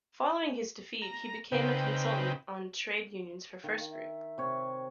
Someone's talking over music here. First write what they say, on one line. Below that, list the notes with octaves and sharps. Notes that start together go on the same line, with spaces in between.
Following his defeat he became a consultant on trade unions for FirstGroup.
A#5
C#3 C4 D#4 B4 G5
D#3 F5
E5
C3 C#5